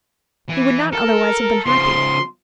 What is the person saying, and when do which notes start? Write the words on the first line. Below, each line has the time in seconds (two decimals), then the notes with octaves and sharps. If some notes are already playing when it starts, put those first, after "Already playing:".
He would not otherwise have been happy.
0.49 E3
0.92 A4 A#4
1.66 C#3 F3 C6